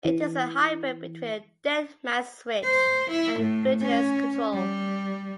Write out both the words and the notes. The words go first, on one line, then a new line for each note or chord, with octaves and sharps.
It is a hybrid between a dead-man's switch and a vigilance control.
E3
C5
E4
A2
C#4
G3